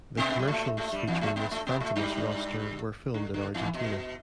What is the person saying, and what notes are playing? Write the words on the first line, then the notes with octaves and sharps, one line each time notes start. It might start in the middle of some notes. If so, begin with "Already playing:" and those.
The commercials featuring this Fantanas roster were filmed in Argentina.
B2 B3
G3
A2 A3
A2 A3
G2 G3
E2 E3
A2 A3
B2 B3
A2 A3
B2 B3
A2 A3
G2 G3
D3
D3
E2 E3
B2